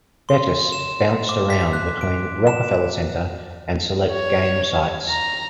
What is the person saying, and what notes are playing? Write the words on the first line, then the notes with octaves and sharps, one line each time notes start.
Bettis bounced around between Rockefeller Center and select game sites.
C6
E7
D6
B6
F#6
D7
E7
C#5
A#5